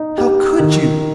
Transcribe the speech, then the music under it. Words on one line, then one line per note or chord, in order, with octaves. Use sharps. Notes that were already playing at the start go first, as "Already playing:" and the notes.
How could you?
Already playing: D#4
G4
D#3